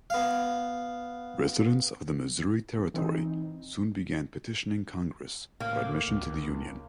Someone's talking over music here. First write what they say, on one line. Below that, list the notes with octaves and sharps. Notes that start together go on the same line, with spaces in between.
Residents of the Missouri Territory soon began petitioning Congress for admission to the Union.
B3 F5
E3 C4 D#4
A2 A#3
C#2